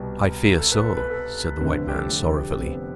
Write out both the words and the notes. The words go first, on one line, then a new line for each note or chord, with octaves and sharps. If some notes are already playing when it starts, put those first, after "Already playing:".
"I fear so," said the white man, sorrowfully.
Already playing: C2 B2 G3
A4
B4
A4
B4
A4
F1 F2 D3 A3 B4
G4
A4
G4
A4
G4
C4
B3